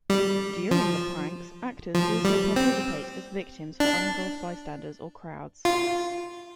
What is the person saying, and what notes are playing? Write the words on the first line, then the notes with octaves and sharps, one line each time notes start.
During the pranks, actors would also participate as victims for uninvolved bystanders or crowds.
G3
F3
F3
G3
C4
D4
F4